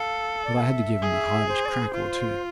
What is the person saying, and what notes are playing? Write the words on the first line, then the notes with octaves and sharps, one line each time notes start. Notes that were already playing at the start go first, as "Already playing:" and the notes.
But I had to give him a hardish crack or two.
Already playing: A4 F5
D5
G#5
E5
G#4
C5
D5
C5
B4
C5
F4